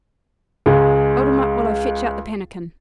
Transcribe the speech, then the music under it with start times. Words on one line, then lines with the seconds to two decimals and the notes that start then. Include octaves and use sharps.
'Hold him up while I fetch out the pannikin.
0.66 C#2 G#3